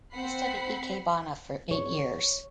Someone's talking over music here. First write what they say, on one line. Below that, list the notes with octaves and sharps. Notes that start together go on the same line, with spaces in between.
He studied ikebana for eight years.
C4 F#5 B5 C7
C#5